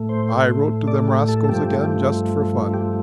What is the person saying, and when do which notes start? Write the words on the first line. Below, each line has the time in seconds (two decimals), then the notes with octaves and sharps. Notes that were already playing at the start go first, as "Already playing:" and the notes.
I wrote to them rascals again just for fun.
Already playing: A2 A3
0.09 C5
0.88 D5
1.08 G4
1.28 A4
1.44 A4
1.49 G2 F3 A3 G4
2.74 G4